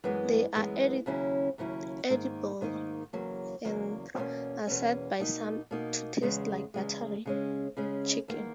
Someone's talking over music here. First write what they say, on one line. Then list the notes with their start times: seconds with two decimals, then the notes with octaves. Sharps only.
They are edible, and are said by some to taste like buttery chicken.
0.04 F#2 E3 G#3 B3
0.55 F#2 E3 G#3 B3
1.06 D#2 C#3 F#3 C#4 E4
1.58 D#2 C#3 F#3 C#4 E4
2.09 G#2 D#3 A#3 D#4
2.61 G#2 D#3 A#3 D#4
3.13 E2 C#3 F#3 A#3
3.65 E2 C#3 F#3 A#3
4.16 E2 B2 A#3 C#4
4.67 E2 B2 A#3 C#4
5.19 B2 A#3 D#4
5.71 B2 A#3 D#4
6.22 E2 C#3 G#3
6.74 E2 C#3 G#3
7.26 C#3 G#3 C#4
7.77 C#3 G#3 C#4
8.28 E2 D#3 A#3